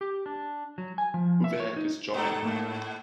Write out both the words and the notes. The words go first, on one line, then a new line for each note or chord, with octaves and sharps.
Who the heck is Johnny?!
G4
D4
F#3
G#5
F3
E5
C#5
D#4
G#2 D#4 G4 A4 A#5
A2 A#3